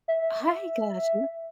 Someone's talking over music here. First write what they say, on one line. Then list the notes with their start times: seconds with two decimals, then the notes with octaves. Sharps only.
I got you.
0.08 E5